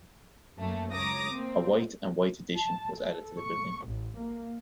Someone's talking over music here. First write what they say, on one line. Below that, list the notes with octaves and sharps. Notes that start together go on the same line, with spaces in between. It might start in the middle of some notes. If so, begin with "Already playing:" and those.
A Wight and Wight addition was added to the building.
F#2 A3 A#3
C#2 C#5 A#5 D6 D#6 A#6
A#3 C4
A5
A4
C#6
A1
A#3